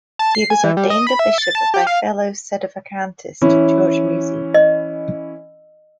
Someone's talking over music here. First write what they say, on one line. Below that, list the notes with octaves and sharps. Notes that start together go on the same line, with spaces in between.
He was ordained a bishop by fellow sedevacantist George Musey.
A5
C7
G#5
E3
G3
D#5
B5
E5
A6
A5
G4
F5
E3 C#4 E4
D#5